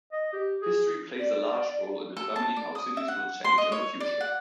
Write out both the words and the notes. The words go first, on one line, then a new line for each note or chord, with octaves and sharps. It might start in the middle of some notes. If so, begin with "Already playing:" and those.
History plays a large role in determining how cities will change in the future.
D#5
G4
G#4
D5
A4
A5
D5
D#6
E5
F#5
C6
D#5
C#5
D5
F#5